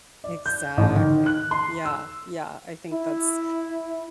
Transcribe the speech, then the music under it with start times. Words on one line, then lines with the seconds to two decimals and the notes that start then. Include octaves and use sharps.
Exactly, yeah, yeah, I think that's
0.24 D5
0.46 G6
0.77 A1
0.96 D#3
1.26 F#6
1.51 C6
1.85 E6
2.91 E4